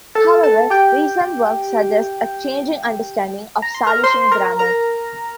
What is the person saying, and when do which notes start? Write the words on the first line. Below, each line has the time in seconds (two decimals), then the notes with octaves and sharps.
However, recent work suggests a changing understanding of Salishan grammar.
0.15 A4 A5
0.43 A4 A5
0.70 G4 G5
3.62 A#5
3.74 C6
3.87 A#4 A#5
4.03 C5 C6
4.32 A#4 A#5
4.59 A#4 A#5